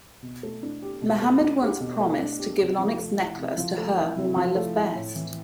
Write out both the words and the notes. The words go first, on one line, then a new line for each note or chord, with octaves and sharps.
Muhammad once promised to give an onyx necklace to her whom I love best.
B2
A3
D4
G4
B2
A3
D4
G4
B2
A3
D4
G4
C3
F3
A3
E4
C3
F3
A3
E4
C3
F3
A3
E4
A2
E3